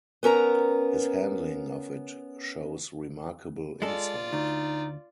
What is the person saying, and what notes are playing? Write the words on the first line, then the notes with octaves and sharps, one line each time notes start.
His handling of it shows remarkable insight.
B3 C#4 A#4 A#5
G#3 F4 A4 D5
D2 D#4